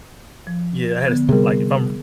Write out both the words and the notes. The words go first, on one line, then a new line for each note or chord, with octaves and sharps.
Yeah, I had this Like, if I'm
F3
D3 B3
C3 G3 G#4 A#4